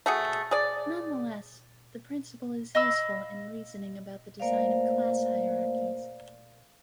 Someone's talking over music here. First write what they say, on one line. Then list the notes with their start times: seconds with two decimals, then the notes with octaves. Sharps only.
Nonetheless, the principle is useful in reasoning about the design of class hierarchies.
0.06 A3 F#4 G#4
0.51 G#4 D5
2.75 D#5 F5 B5 E6
4.40 A3 A#3 A#4 C5 D5 F5